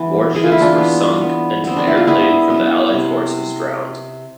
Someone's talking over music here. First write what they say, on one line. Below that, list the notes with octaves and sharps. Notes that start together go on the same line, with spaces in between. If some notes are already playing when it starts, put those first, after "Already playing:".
War ships were sunk and an airplane from the Allied Force was drowned.
Already playing: E3 B3
E3 G#4
F4
E4
D4 F4
B3
B3
B3 C4
D4
E4
F4
B3 E4 G#4
B3
C3